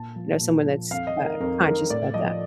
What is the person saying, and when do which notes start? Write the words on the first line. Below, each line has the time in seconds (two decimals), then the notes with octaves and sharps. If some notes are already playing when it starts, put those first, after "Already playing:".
you know, someone that's, uh, conscious about that.
Already playing: A#2 A5
0.16 F3
0.41 A#2
0.66 F3
0.91 F2 F5
1.07 D#5
1.16 D#3
1.24 A#4
1.40 F2 A#4
1.65 D#3 A#4
1.90 A2 D5
2.14 F3 D#5